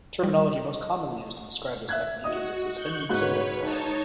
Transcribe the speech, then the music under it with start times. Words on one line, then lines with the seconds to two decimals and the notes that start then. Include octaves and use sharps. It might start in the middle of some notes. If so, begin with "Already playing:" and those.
The terminology most commonly used to describe this technique is a suspended cymbal roll.
0.24 G3
1.89 E5 F#6 G#6
2.24 F#4 D#5 D#6
2.74 C#6 F#6 G6
3.09 G#2 F#4 B4 C#5 F#6
3.61 D#4 C#5 A5